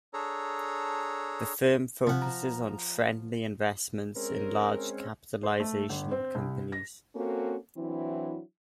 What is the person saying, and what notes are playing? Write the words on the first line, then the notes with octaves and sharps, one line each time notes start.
The firm focuses on friendly investments in large capitalization companies.
D4 G#4 A4 C#5 A#5
C3 F3 F#5
A#5
G#3 C4 C#4 A#4
C5
A3
G1
C4
C2
A#6
A#3 C4 C#4 F#4 A4
E3 F#3 C4 D4 E4